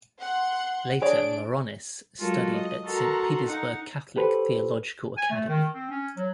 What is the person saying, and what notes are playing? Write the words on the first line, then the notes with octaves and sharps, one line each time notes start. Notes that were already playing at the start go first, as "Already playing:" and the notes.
Later Maironis studied at Saint Petersburg Catholic Theological Academy.
F#5 C6
D4 G#4 C#5 D5 D7
F#3 G#3 F4 F#4 A4 A#4
D#5
F#4 A4 A#4 A#5 C6
D#4 F#5
G4 A4 B4 C5
G#5
A3
D#3
C4
C#4
F#3